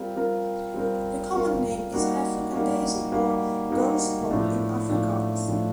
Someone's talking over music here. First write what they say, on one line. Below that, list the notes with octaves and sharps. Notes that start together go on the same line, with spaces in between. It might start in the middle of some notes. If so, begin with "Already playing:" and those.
The common name is "African daisy", or "Gousblom" in Afrikaans.
Already playing: G3 C4 F4 A#4
G3 C4 F4 A#4
G3 C4 F4 A#4
G3 C4 F4 A#4
G3 A#3 D#4 F#4
G3 A#3 D#4 F#4
G3 A#3 D#4 F#4
G3 A#3 D#4 F#4
A2 F3 A3 D4
A2 F3 A3 D4
A2 F3 A3 D4